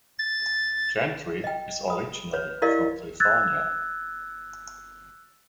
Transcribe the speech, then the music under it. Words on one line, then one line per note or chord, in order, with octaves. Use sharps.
Gentry is originally from California.
A6
D#5 G5
B5 D#6
B4 C#5
E4 G4 A#4 D5 D#5 F5
E6 F#6 G#6 A6